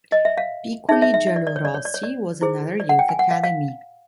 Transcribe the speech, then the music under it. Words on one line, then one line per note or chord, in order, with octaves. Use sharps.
Piccoli Giallorossi, was another youth academy.
D#5
E5
F5
D#4 G#4 C#5 E5
E5
E5
E5
D5
D5
C#5
D5
C#5
D5
C#5
D5
E4 G#4 C5
D5
F#5
G5
G#5
F#5
F5
F5